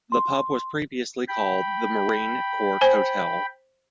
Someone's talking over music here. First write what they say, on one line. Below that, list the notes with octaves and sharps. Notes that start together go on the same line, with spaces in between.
The pub was previously called the Marine Court Hotel.
C6
G5 B5
C5 G#5